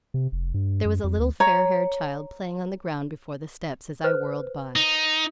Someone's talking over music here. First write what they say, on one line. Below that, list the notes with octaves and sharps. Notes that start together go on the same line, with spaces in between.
There was a little fair-haired child playing on the ground before the steps as I whirled by.
C3
F1
G2
F#2
F2
D2
C#5 A#5
B4 C5
D#4